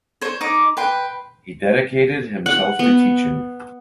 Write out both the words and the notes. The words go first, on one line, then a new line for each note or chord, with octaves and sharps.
He dedicated himself to teaching.
C5 C#5
D#4 D6
B4 G5 C6
F#5
B3